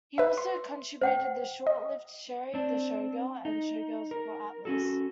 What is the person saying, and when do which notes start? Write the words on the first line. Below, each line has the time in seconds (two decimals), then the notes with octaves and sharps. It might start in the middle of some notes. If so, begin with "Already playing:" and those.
He also contributed the short-lived "Sherry the Showgirl" and "Showgirls" for Atlas.
0.18 B4 E5
0.38 C6
1.02 C5 F#5 G5
1.67 D#5
2.54 C4 D4
3.45 D#4
4.11 A#4
4.65 C#4 F#4 A4